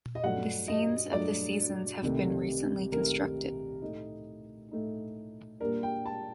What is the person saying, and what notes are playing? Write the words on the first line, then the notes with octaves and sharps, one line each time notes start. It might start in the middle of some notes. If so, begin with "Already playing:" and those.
The scenes of the seasons have been recently constructed.
D#5
G2 F#3 A3 D4 F#5
D#5
G2 F#3 A3 D4 D5
C2 C3 D#3 A3
C2 C3 D#3 A3 A#4
A2 A3 D#4
A2 A3 D#4
A#2 G3 A#3 D4 A#4
G5
A5